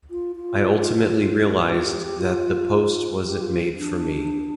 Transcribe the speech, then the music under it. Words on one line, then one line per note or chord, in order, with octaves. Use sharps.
I ultimately realized that that post wasn’t made for me.
F4
F4
F4
G4
G4
F4
G4
F4
D4